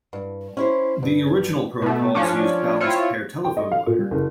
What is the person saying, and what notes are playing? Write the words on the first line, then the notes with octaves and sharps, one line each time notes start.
The original protocols used balanced pair telephone wire.
G2
C#4 E4 C5
G2
B2 A3
F3 C#4 D4
C4 E4 F4 C#5
G5
D#5
F5
A#2
G3
F#1